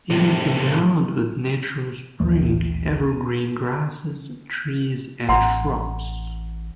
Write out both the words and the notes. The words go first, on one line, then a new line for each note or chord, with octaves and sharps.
It is endowed with natural spring, evergreen grasses, trees and shrubs.
A2 C3
A#1 D#2 E3 A3
A1 F#5 A#5 C6